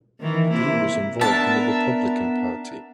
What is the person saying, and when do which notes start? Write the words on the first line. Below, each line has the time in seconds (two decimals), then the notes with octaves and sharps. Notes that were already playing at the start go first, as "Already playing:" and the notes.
Dee was involved in the Republican Party.
0.20 D#3 E3
0.50 C3 A#3 E4
1.21 B3 D4 A#4 E5 A5